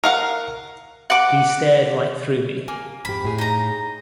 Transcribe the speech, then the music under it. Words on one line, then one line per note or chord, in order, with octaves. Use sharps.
He stared right through me.
A#4 F5 F#5
F#5 D6
A#3 G#5
F2 G#2 G4 B5
A2 G#4
D#4 A#5